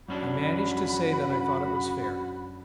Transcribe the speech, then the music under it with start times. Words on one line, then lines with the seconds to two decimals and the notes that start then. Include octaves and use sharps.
I managed to say that I thought it was fair.
0.08 F#2 C#4 D4 F#4 B5